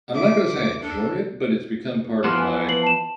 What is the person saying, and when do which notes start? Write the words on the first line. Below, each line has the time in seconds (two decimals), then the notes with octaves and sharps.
I'm not gonna say I enjoy it, but it's become part of my,
0.14 E5 D6
0.83 D4 A4
2.24 E3 F3 B3 C6 F6
2.37 G#5
2.68 B4 C7 F#7
2.83 A5 E7